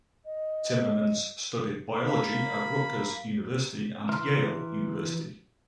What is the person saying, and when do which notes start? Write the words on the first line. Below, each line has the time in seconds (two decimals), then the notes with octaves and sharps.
Timmermans studied biology at Rutgers University and Yale University.
0.25 D#5
2.07 A#3 B5
4.09 E3 E5 A#5 C6 F6